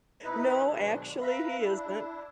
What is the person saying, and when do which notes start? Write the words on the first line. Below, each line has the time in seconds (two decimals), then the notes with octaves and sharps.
No, actually, he isn't.
0.24 C3 D#4 E4 B4
0.70 G#2 B2 D#3 F#3 G#3 D4
1.21 B4 E5 F5 A#5 B5
1.58 D4 E4